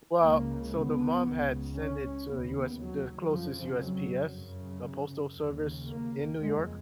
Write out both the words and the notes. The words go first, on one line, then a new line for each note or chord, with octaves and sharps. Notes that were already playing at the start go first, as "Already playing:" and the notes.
well, so the mom had send it to the US the closest USPS, the postal service in New York.
C#2 C#3 A#3
B3
C#2 C#3
C#4
D#2 C#3 B3
F#3
F2 C#3 F3
F#3
F#2 C#3
D#2 C#3
A#3
F2 C#3 G#3